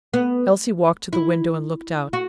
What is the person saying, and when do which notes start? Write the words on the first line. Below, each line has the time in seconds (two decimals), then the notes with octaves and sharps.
Elsie walked to the window and looked out.
0.14 B3
1.13 E4
2.13 F#4